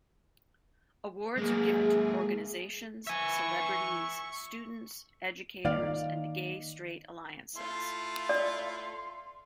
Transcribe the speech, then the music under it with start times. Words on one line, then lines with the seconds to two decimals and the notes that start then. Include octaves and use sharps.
Awards are given to organizations, celebrities, students, educators and gay-straight alliances.
1.38 G#3 A#3 G#4
3.07 E5 G#5 C#6
5.65 D#3 A#3 D#4 D5 F5
7.56 A3 E4 F4 C6
8.29 D5